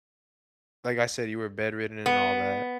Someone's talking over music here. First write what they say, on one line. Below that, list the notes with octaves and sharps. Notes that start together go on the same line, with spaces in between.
like, I said, you were bedridden and all that.
B3